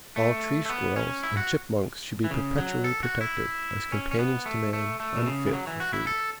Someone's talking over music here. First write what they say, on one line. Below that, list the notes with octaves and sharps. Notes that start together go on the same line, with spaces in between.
All tree squirrels and chipmunks should be perpetually protected, as companions to man, unfit for food.
A3
A3
B3
C#4
E4
F#4
E3
C#3
F#3
A4
F#4
E4
C#4
C#4
B3
A3
A3
A3
B2
C#3
E3
F#3
E3
F#4
E4
A4